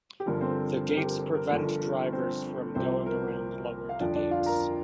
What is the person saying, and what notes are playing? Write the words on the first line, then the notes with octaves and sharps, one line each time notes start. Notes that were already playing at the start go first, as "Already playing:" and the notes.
The gates prevent drivers from going around lowered gates.
G4
G1 G2 D3 F3 A#4
C4 C5
A#4
G4
A#4
G4
A#4
G1 G2 D3 F3
C4 C5
C2 C3 F3 C4 C5
A#4
F5
G1 F2 F3 D4 D5
D4 D5
F4 F5
A#4 A#5